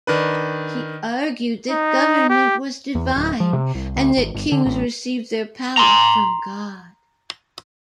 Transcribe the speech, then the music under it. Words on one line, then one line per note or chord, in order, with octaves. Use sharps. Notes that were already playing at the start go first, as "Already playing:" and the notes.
He argued that government was divine and that kings received their power from God.
D#3 D4 B4
D#4
G4
E2
D1
F3
C3
C2
D2
G#1
G1
D3
A1
A#5 C6